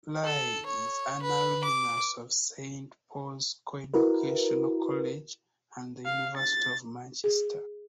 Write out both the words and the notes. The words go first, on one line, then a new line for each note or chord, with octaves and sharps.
Li is an alumnus of Saint Paul's Co-educational College and the University of Manchester.
A4
C#5
B4
D6
E4 F#4 A#4 B4
F5
A6
G#4